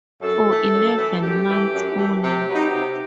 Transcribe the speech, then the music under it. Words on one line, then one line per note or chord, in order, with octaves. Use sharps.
For eleven months only.
F#2 A4
E3 A3
F#2
E3 A3
F#2 G4
E3 A3
F#2
E3 A3
C3 G4
F#3 B3 D#4
C3